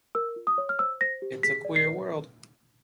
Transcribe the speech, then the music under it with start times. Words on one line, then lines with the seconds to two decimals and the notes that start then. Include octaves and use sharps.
It’s a queer world.
0.15 A#4 E6
0.36 F4
0.47 D#6
0.58 C#5
0.69 F6
0.79 C5 E6
1.01 C5 A#6
1.22 G4
1.43 G#4 B6
1.65 D5
1.76 C7
1.86 B4